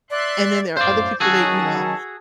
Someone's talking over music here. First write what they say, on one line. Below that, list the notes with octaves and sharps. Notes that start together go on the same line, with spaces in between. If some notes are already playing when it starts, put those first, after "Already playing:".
and then there are other people they you know,
D5 E5 C6 F#6
F#2 A2 C5 D5 F5
D#3 F#3 C#4 F#4 G#4 A4 A5